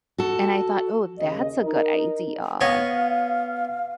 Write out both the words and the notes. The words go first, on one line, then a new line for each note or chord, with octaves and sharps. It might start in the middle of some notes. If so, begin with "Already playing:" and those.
and I thought, "Oh, that's a good idea."
F#4 A4
D#2 C#3 D#5
D#4 A#4
B3 C#5 D#5 F5